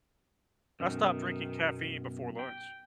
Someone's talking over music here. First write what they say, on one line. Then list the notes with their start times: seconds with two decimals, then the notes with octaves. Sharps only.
I've stop drinking caffeine before lunch.
0.80 B1 F#2 D#3
2.39 G5